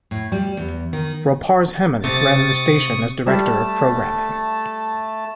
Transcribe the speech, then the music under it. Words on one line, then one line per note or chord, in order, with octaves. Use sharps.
Roparz Hemon ran the station as Director of Programming.
A2
G3
E2
D#3
C3 A3 C4 G4 C#6 D#6 A6
G3 A3 A5